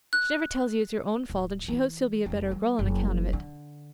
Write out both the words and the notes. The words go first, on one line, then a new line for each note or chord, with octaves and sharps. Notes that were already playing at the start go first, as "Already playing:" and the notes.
She never tells you it's your own fault and she hopes you'll be a better girl on account of it.
F#6
D1
E3 E4
F1 G3
G3
F#1 C3
D3